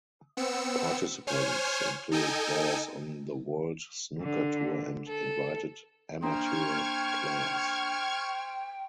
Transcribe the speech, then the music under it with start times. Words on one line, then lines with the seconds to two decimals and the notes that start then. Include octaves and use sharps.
Participants included players on the World Snooker Tour and invited amateur players.
0.37 B3 C4 E6 C#7
1.27 C5 C#5 G#5 F6
2.11 D#4 A4 D#5 G5 G#5
4.21 D3
5.08 A4
6.23 A#3 D4 C5 G5 A#5 C#6 F6 G#6